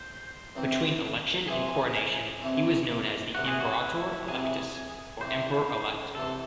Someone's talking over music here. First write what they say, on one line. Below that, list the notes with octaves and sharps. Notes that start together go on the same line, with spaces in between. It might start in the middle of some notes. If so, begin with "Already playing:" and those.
Between election and coronation, he was known as the "imperator electus", or Emperor-elect.
Already playing: C5
C2 C3 E3 C4
C2 C3 E3 C4 G#4
C2 C3 E3 C4
C2 C3 E3 F#4
G#4
F#4
E4
C2 C3 E3 G#4
C2 C3 E3 C5
C2 C3 E3 A4